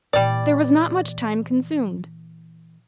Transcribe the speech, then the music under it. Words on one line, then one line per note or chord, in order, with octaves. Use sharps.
There was not much time consumed.
A#2 E3 G3 D5